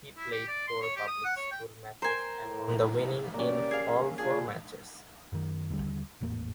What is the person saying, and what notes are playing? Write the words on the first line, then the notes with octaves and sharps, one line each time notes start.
He played four Public Schools matches and on the winning in all four matches.
E4
G4
D5
C6
C#5
G4
D#6
F#5
C#5
G5
A#4 C5 G5 G#5
A2
A#3 C#4 G4 D5
G#4 F5
D4 F4 G#4
F#2 D#3
D#2 D3 F#3 G3
G#1 E2 A2 A#3